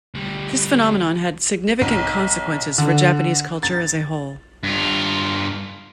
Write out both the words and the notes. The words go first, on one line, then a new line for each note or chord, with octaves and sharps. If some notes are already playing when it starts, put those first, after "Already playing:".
This phenomenon had significant consequences for Japanese culture as a whole.
D2 G3
B1
D3
A6
G2 F4